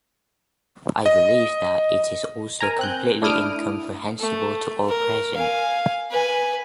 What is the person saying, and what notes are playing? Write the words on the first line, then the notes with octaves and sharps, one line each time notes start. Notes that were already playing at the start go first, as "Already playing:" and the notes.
I believe that it is also completely incomprehensible to all present.
D#5
A#4 G#5 A#5
C4 F#6 G6
A3 D4 E4 D#6 F6 D7
A3
A#4
F5 G#5
B4 G#5